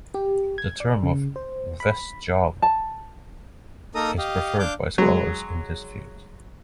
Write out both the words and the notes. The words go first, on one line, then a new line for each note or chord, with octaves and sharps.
The term of "West Java" is preferred by scholars in this field.
G4
G#6
D5
C#3
C5
B5
A5
A#3 D#4 A4 A#4 A#5 D#6
G4 D#5 F5
D4 F5 D6 G6
F#3 G#3